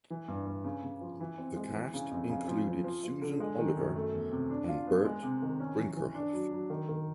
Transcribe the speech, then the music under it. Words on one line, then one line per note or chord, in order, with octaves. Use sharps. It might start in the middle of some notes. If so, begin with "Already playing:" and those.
The cast included Susan Oliver and Burt Brinckerhoff.
E3
G2
G2
C#3
C#3
F3
E3
C4
G#3
E3
C#3
F2
C#3
F3
F3
F3
F3
D3
G#3
D#3
F#2
A3
E2
C3
D4
F4
B3
G#3
C3
D#3
C#4
E3
E3
D4
F#3
F#3
D#3
D#3